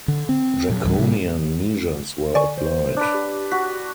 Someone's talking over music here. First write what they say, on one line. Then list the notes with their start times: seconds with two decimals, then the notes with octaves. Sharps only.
Draconian measures were applied.
0.08 D3
0.29 C4
0.69 A#2 F#3
0.84 C#2 G#2 E3 G3
0.97 A2 C3 G3
2.35 D3 D5 G#5 C#6
2.58 C5
2.97 D4 B4
3.14 G4
3.52 F#4 B6